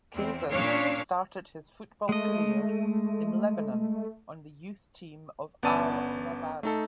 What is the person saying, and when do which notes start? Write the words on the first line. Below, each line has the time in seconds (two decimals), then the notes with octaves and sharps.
Kassas started his football career in Lebanon on the youth team of Al-Mabarrah.
0.15 E2 C4
0.50 A#2 C#4 D4 C#5 F5
2.09 G#3 A3 D#5
5.63 G1 B3 C#4 D5 A5 D#7
6.63 A3 D#4 A4